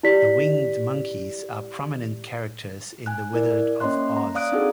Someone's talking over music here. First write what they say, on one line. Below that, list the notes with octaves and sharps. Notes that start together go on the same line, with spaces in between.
The winged monkeys are prominent characters in "The Wizard of Oz".
E4 G4 D5 B6
G#5 F#6
E4 A#4 D5
A#3 C#4 C#5 D#5 C6 F#6
A#5
D5 F5 D#6 F#6 D7
C4 D4 D#4 F#4 G#4 A4